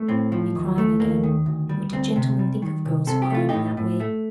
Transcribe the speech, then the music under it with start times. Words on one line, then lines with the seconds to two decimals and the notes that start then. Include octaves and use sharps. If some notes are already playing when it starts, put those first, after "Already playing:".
To be crying again--what did gentlemen think of girls who cried in that way?
Already playing: A3
0.08 A2 C4
0.32 F3
0.55 D#2
0.78 A3
1.00 D#2 A#3
1.24 D#3
1.46 D2
1.69 G3
1.92 D2 C4
2.16 C3
2.39 G3
2.62 D#3
2.85 C2
3.07 C3 A4
3.22 G4
3.30 A3 F4
3.49 A2 D#4 G4
3.77 A2
4.00 A3